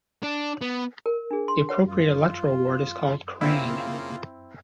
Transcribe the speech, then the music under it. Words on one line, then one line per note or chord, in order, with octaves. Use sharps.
The appropriate electoral ward is called 'Crane'.
D4
B3
A#4
D4 G#4
C6
B4 C#5 F#5
F#2 F4
C#3 A#3 C4 E4 F4